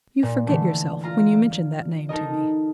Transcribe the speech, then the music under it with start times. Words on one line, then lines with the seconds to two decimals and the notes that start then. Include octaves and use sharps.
"You forget yourself when you mention that name to me."
0.23 A#2
0.47 D3 E3 G#3 A3
1.04 F4 A#5
2.09 D#4 A4 A#4 D#5